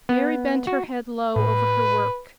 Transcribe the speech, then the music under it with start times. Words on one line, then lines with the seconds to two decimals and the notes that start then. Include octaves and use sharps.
Mary bent her head low over her work.
0.09 B3
0.67 F#4
1.36 A2 B4